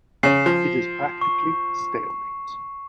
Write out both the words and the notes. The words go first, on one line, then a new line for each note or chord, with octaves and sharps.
It is practically stalemate.
C#3 C#4 C7 E7
F3
C#6